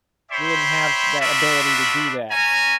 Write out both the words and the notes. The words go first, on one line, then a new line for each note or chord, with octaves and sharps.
You wouldn't have that ability to do that.
C5 C#5 E5 G5 B5 C6
A3 D4 F4 F#4 E5 B5
C#4 G#5 A#5